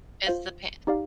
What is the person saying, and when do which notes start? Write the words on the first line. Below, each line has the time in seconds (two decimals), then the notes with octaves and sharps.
It's the pa
0.27 F4 C5 F5
0.87 D#4 G4 D5 F5